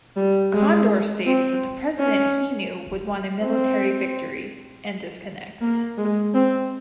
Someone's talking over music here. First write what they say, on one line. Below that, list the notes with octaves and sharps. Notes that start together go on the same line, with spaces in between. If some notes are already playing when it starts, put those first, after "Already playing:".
Condor states that the President he knew would want a military victory, and disconnects.
G3
G#3
C4
C#4
C4
A#3
G#3
C4